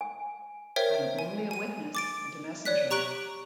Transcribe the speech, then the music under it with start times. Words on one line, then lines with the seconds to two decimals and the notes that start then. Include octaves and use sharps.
I'm only a witness and a messenger.
0.01 G#5
0.76 A#4 C5 C#5 E5 G5
1.19 G#5
1.51 G#5 D#7
1.95 D6 A6 D7
2.65 C#5 D5 F#6 B6
2.91 G4 A#5 C#6 F#6 D7 F#7